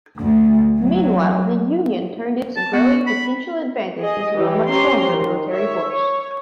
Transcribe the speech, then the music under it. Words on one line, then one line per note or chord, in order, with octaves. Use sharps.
Meanwhile, the Union turned its growing potential advantage into a much stronger military force.
D2
F#3
A5
B3 F#4
B5
G#4 D#5
E3 G4
C#4 G4 C5 A#5 C6
D#3
C#5 E5
C#5